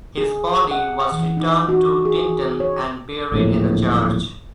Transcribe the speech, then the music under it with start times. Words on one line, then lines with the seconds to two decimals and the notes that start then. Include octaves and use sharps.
His body was returned to Dinton and buried in the church.
0.18 G#4
0.71 F#5
1.12 E3
1.37 D#4
1.69 F#4
2.05 G#4
2.60 C#5
3.32 D1 A#1 A2